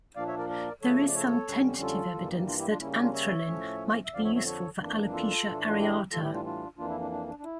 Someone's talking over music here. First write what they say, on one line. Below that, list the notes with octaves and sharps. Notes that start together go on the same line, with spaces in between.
There is some tentative evidence that anthralin might be useful for alopecia areata.
A#2 F3 A#3 D4 D5 F5
C#5 E5
A#4 D5
A#4 D5
C#3 F3 A3 A4 C#5
D5
A4 C#5
F2 D3 G3 C#4
F4 A4
G2 E3 G3 A#3
D4 F4
E4 G4
D4 F4
C#3 G3 A#3 C#4 E4
E4
D4 F4
C#5 E5
A2 F3 A3 C#4
E5
F2 D3 F3 D5 F5
C#5 E5
C#5 E5
A4 C#5
F2 E3 A#3 D4
F4 A4
A2 E3 A3 D4
F4
E4 G4
A2 E3 G3 F4 A4
E4 G4
D4 F4
D4 F4
F2 E3 A#3 D4 F4
E4
D4
D4
D4
D4
E4